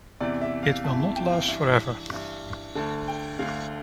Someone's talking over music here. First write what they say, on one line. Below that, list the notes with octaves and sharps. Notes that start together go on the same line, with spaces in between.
It will not last forever.
E2 C3 E3 D5
E5
F5
E2 C3 E3 A5
A5
G5
F5
G2 E3 E5
G2 E3
D2 D3 A5
G5
D2 D3 F5